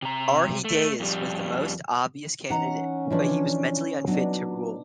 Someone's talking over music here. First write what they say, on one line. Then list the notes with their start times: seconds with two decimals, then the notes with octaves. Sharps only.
Arrhidaeus was the most obvious candidate, but he was mentally unfit to rule.
0.02 C3 A#5
0.64 A3
1.00 F2 G3
2.50 E3 C#4 D#4 F#5 A#5
3.11 E3 F3 D4 D#4 C#5 D5
4.07 F#3 B3 D4 D#4